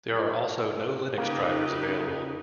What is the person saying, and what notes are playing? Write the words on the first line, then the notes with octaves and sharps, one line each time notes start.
There are also no Linux drivers available.
C#3 A#3 D#4 G4 B4